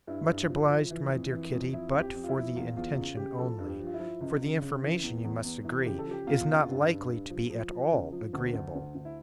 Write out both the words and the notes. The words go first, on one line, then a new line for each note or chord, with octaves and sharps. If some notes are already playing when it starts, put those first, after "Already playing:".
"Much obliged, my dear Kitty; but for the intention only--for the information, you must agree, is not likely to be at all agreeable."
G2 E4
G2
F3
F3
E3
F2
E3
F2
F3 E4
F2
G4
F2
F4
E4
F3
E2 F4
E2 F4
C#3 F4
C#3 G4
F3 A4
G2
G4
F3
F4
E4
F3
C#2
C#3
C#3
E3
E2
E2
E2
E3
C#3 G4
A4
F3 G4
E2 F4
C#3
G2
G2
G2
F3
F3
F3
C#2
F3
D2
D2
D2
D2
E4